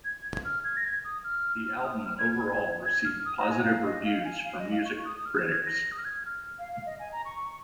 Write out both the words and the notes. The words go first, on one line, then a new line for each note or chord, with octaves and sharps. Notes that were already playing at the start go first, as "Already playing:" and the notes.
The album overall received positives reviews from music critics.
G#6
F6
G#6
A#6
G#6
D#6
F6
F6
F6
D#6
F6
G#6
G#6
G#6
F6
D#6
A#5
G#5
F5
D#5
F5
G#5
F5
D#5
F5
C#6
D#6
D#6
F6
G#6
A#6
D#6
F6
G#6
G#6
F6
F5
F5
D#5
G#5
A#5
C#6